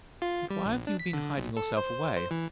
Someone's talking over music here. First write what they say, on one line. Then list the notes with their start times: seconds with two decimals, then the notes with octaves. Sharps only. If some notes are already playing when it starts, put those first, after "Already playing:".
But why have you been hiding yourself away?
0.22 F4
0.50 G3
0.66 A#1
0.87 D4
0.99 B6
1.13 D3
1.38 B1
1.57 A4
1.77 C5
2.17 C5
2.31 E3